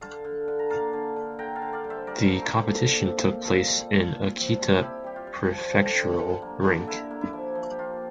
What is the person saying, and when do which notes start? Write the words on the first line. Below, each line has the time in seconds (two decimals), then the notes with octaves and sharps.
The competition took place in Akita Prefectural Rink.
0.01 D3 F5 A5
0.24 D3
0.48 D3
0.59 A#5
0.70 A#3 F5 A5
0.93 D3
1.16 D3
1.39 D3 G5 A#5
1.55 F5 A5
1.62 D3
1.73 D5 F5
1.84 G3
1.90 C5 E5
2.07 G3 A#4 D5
2.30 A#3
2.41 A4 C5
2.53 D3
2.75 A#2
2.99 C4
3.22 A#2
3.44 G3 F4 A4
3.67 G3
3.90 A#2
4.13 A#2
4.36 C4
4.59 G3
4.81 C4 E4 G4
5.04 G3 G4
5.16 F4
5.27 G3
5.50 F3
5.73 D3
5.96 D3
6.19 D3
6.42 A#3
6.64 D3
6.87 D3 E4
7.11 A#3
7.21 E4
7.33 F3
7.55 F3
7.71 G4
7.79 A#3 F4